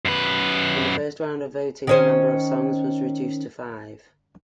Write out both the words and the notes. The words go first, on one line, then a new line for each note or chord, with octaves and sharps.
In the first round of voting, the number of songs was reduced to five.
F#2 B4
D#3 C#4 C5